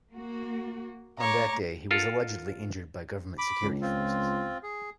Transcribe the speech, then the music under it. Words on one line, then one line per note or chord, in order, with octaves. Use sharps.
On that day, he was allegedly injured by government security forces.
A#3 F#4
A3 C#5 A#5 D6
F4 A4 A#4 F#5
B5 D6
C#2
C4 F4
G#4